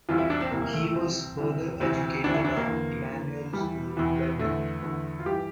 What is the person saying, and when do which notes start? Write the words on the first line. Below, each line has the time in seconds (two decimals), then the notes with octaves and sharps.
He was further educated at Emanuel School in London.
0.09 C2 C3 E3 F4
0.18 E4
0.30 D4
0.41 C4
0.51 C2 C3 E3 A#3
0.62 A#3
0.73 A3
0.84 A3
0.94 C2 C3 E3 C4
1.38 C2 C3 E3
1.80 D2 C3 E3 C4
2.24 D2 C3 E3 D4
2.34 E4
2.45 D4
2.57 A#3
2.67 E2 D3
3.10 E2 D3
3.53 E2 E3 G3
3.97 E2 E3
4.39 E2 D3 A3
4.82 E2 D3
5.20 F4
5.26 G2 E3 G4